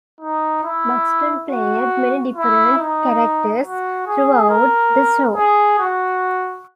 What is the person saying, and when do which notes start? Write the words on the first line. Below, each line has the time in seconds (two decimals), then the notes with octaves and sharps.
Buxton played many different characters throughout the show.
0.21 D#4
0.64 E4
1.50 F#4
2.36 E4
2.78 D#4
3.65 F#4
4.07 G#4
4.50 A#4
5.36 G#4
5.79 F#4